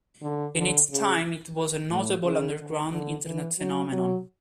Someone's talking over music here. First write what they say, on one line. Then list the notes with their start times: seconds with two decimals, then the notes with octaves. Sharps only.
In its time, it was a notable "underground" Internet phenomenon.
0.22 D3
0.56 D3
0.90 C#3
1.90 A2
2.25 C#3
2.58 D3
2.92 D3
3.25 E3
3.59 F#3
3.93 F#3